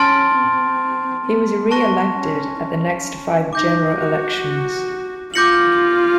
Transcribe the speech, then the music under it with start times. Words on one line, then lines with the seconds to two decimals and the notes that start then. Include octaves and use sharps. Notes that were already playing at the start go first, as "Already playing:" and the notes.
He was re-elected at the next five general elections.
Already playing: C#4 A5 C6 F6 A6 D7
0.36 C4
1.26 B3
1.71 B3 A5 C#6 F#6 A#6
2.17 C#4
2.62 C#4
3.52 D#4 D6 G6 A#6
3.98 F#4
5.34 F4 D6 G6 A#6 C#7 F#7